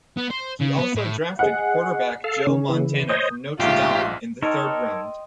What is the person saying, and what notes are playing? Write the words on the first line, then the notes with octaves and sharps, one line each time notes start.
He also drafted quarterback Joe Montana from Notre Dame in the third round.
B3
C5
C#3
B3
A2
G#4 D#5 F#5
A4 F5
C#3 C#4
E3
C5 C#5 D#5 D#6 G6
A#1 G#2 A3 F4 G4 C6
D#4 A4 A#4 C5 C#5 D#5 G5